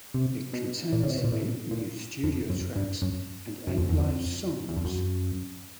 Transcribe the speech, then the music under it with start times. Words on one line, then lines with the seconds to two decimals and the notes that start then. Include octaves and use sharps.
It contains eight new studio tracks, and eight live songs.
0.14 C3
0.53 B2
0.93 A#2
1.03 C#3
1.10 C3
1.18 B2
1.24 A#2
1.32 A2
1.71 A#2
2.23 F2
2.50 F#2
2.76 G2
3.02 F#2
3.67 F#2
3.78 F2
3.89 E2
4.00 F2
4.69 E2
4.77 F2
4.85 F#2